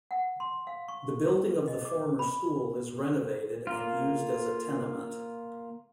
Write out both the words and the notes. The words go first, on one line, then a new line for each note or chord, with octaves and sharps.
The building of the former school is renovated and used as a tenement.
F#5
C6
F5
C#6
E4
D#5
D6
B5
A#3 F4